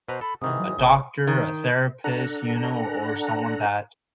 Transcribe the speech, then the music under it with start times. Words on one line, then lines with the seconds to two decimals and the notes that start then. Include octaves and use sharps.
a doctor, a therapist, you know, o or someone that,
0.09 B2 B4 C5 A#5
0.21 A4 B5
0.42 G#2 C3 D#3 E3 D#6
0.60 F#3
0.79 G#1 C#3
1.27 D#3
2.04 D4 A4 F#5 A#5